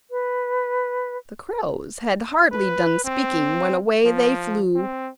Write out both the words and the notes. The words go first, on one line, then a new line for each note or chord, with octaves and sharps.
The crows had hardly done speaking when away they flew.
B4
B4
C4
F3
C4